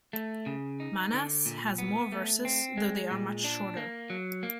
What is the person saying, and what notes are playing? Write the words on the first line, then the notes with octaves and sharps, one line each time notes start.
Manas has more verses, though they are much shorter.
A3
C#3
D#4
D3
A#2
B3
A3
C4
G#3
A#2
D4
A#3
F#3
A#3